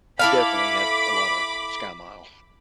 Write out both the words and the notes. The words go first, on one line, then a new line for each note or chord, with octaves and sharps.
definitely had f a lotta SkyMiles,
E4 A4 F5 B5 D6